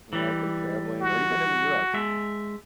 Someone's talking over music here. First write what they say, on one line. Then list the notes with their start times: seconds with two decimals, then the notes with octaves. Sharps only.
when I've been traveling or even in the U.S.,
0.13 E3 G3
1.01 F#4
1.94 G#3 E5